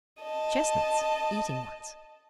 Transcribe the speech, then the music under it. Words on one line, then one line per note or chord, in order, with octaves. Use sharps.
"Chestnuts--eating ones."
D#5 A5